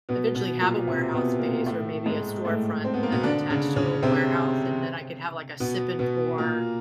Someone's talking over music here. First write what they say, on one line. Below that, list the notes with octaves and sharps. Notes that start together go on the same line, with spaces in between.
eventually have a warehouse space or maybe a storefront that's attached to a warehouse, and then I could have, like, a sip and pour;
B2 B3
B2 B3
A#2 A#3
C3 C4
B2 B3
A#2 A#3
A2 A3
G#2 G#3
A2 A3
C4
B3
A#3
B2 B3
D3 D4
C#3 C#4
C#3 C#4
C3 C4
B2 B3
B2 B3
A#2 A#3